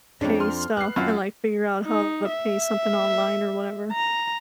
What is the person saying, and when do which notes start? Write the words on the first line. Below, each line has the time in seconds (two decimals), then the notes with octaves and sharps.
pay stuff and, like, figure out how to pay something online or whatever.
0.21 F2 G#3 C#4 D4
0.40 C6 F6
0.77 B3 F#6 C7
0.96 F#2 F4
1.84 D#4
2.29 E5
3.93 A#5